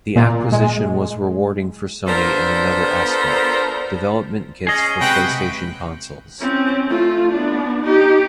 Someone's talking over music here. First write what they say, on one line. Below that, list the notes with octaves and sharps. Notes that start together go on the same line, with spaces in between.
The acquisition was rewarding for Sony in another aspect: development kits for PlayStation consoles.
A#2
G#3
B3 D4 F4 A4 A#4 C5
C#4 G#4 D#5
C3 G#3 F#4 B4 G5
C4 C#4
A3 F4
B3 D4
D#4 G4